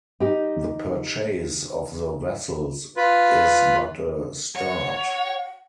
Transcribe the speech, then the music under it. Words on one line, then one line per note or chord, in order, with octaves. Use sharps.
The purchase of the vessels is but a start.
D#4 G4
F4 B4
C#5 F#5